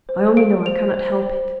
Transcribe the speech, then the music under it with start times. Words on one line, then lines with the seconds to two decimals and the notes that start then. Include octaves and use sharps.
I only know I cannot help it.
0.09 C5
0.37 F5 D7
0.66 C5 F7
0.95 C5
1.22 C5